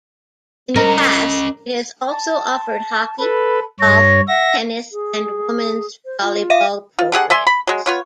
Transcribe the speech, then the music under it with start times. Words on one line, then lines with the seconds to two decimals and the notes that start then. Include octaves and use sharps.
In the past, it has also offered hockey, golf, tennis, and women's volleyball programs.
0.76 C#4 A#4 D#5
2.09 A5
3.19 A4 B4 B5
3.80 G2 C#5 A#6
4.28 E5 F#5 A#6
4.92 G#4
6.05 C5
6.22 F4
6.50 E5 F5 D#7
6.99 F4
7.12 D3 G4 G#4 F#5
7.30 D5 E5 G#5 C6
7.47 B5
7.67 F#3 G#3
7.86 B3 F4 C#5